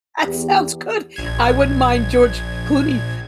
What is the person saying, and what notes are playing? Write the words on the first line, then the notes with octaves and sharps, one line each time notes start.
That sounds good! I wouldn't mind George Clooney-
E2 G4
A#1 G#6